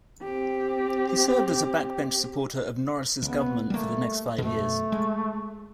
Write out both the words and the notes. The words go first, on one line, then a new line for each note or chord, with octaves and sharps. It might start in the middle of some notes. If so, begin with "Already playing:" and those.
He served as a backbench supporter of Norris's government for the next five years.
C4 G4
C#2 B3
G3 A3 A#3
F#2 B2 A3
G#3